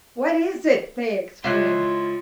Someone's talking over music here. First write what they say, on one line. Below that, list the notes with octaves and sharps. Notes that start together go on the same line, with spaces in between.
"What is it?" they exclaimed.
C#2 E4 F4 C5 F#6